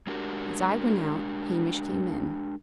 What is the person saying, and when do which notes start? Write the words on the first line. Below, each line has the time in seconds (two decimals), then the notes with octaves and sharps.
As I went out, Hamish came in.
0.07 G#3 D4 F#4 G4 A#4